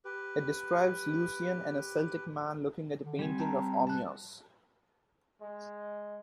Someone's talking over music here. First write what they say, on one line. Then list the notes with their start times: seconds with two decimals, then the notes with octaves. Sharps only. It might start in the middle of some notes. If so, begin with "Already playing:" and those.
It describes Lucian and a Celtic man looking at a painting of Ogmios.
0.05 G4 B4
3.05 D3
3.19 G3 C4 G#5
3.39 G5 A5 A#5
3.87 A5 F#6
5.41 G#3